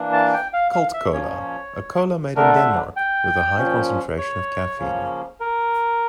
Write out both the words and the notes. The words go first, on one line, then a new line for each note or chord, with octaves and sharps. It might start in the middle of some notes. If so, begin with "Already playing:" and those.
Cult Cola a cola made in Denmark, with a high concentration of caffeine.
Already playing: E3 A#3 D4
A5
G5
F5
F5
E5
A#2 F3 A#3 C#4 C#5
D3 A3 D4 A#4
E5
G5
A#2 F3 C#4
C#5
C#3 F3 A#3 C#4
A#4